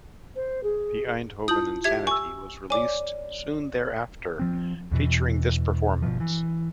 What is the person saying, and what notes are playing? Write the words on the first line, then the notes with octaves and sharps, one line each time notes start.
"The Eindhoven Insanity" was released soon thereafter, featuring this performance.
C5
G#4
E4 F4 A5 D#6 G6 F#7
G4 E5 G#6
G#5 C#6 E6
C#5 D5 G#5 D6
F3 C4
E2 B2 E3
G1 B2 F3
E3